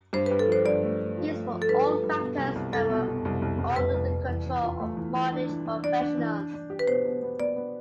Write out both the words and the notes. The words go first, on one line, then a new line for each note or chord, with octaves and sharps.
These were all factors that were under the control of mortgage professionals.
G2 C5
B4
G2
A4
F3 C5
G2 D5
A3
A3
F3
A3
F3
A4
G2 B4
F3
G2
B2
C2
C2
C2 A4
B2
B2
C2
C2
C2
C2 B4
C2
C2
E3
E3
F4
A3
E3
E3
D4
E3
D4
D4 D5
D4
E3
D4
D4
G4
B4
B2 C5
B2
B3
B3 D5
B3